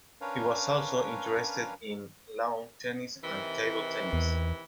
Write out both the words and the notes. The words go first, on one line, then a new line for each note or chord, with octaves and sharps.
He was also interested in lawn tennis and table tennis.
C#4 D4 A#4 B4 C#5 F5
C3 D#3 E3
E2